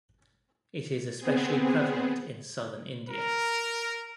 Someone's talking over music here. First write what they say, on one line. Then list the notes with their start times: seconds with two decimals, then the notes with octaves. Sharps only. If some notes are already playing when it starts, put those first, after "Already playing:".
It is especially prevalent in southern India.
1.18 B3 C4 G#4
3.10 A#4